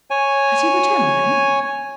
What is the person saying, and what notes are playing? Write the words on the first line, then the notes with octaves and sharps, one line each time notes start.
"Has he returned then--?"
C#5 G#5